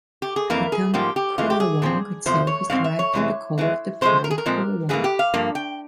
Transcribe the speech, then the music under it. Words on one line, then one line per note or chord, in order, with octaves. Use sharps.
The term "currawong" itself is derived from the call of the pied currawong.
G4
G#4
F2 E3 A#3 A#4
G#4
G#2 F3 A#3 G4
G4
F2 E3 G#3 F4
G4
G#4
A#2 F3 C4
E2 C3 F3 C5
C#5
G#2 G3 C4 F5
E5
C#5
E2 C3 E3 G#3
E2 E3 G#3
C3 F3 G#3 C5
A#4
G#4
A#4
A#2 F3 G#3 C4
G#2 E3 A#3 G#4
G4
F5
G2 F3 A#3
G5